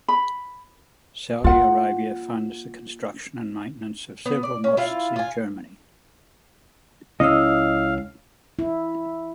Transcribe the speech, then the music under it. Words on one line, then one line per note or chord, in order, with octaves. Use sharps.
Saudi Arabia funds the construction and maintenance of several mosques in Germany.
B5
A#3 F4 F#5
B3
D5
C#4
E4 F4 F5
F4 G#5
C#2 C#4 E4 D#5 F5 E6
E4